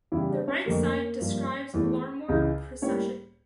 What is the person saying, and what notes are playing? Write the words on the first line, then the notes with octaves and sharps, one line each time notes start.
The right side describes Larmor precession.
E2 C#3 G3 E4
D4 D5
C#4 C#5
F2 D3 A3 A#3 A#4
G2 F3 A#3
E2 E3 A3
C#2 C#3 E3
A2 G3 A#3 C#4 C#5